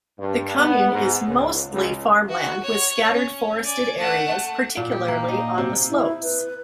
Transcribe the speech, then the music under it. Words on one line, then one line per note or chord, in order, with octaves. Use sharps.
The commune is mostly farmland with scattered forested areas particularly on the slopes.
G2
B3
G#2
C#2
C#2
F#4
C#5
C#4
D5 G#5
A3 F#5
A#2
G4
A#3
D#4
C3
E4
B4